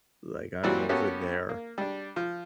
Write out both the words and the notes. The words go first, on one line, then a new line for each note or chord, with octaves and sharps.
Like, I'm over there
A#2 E3 F#3 G3 C4 F#4
A#3 B3 C#4 F#4 G4 A4
A#3
G3 D4
F3